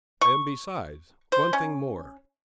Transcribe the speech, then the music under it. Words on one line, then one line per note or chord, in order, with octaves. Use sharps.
And besides--one thing more!
C#6
C5
C#4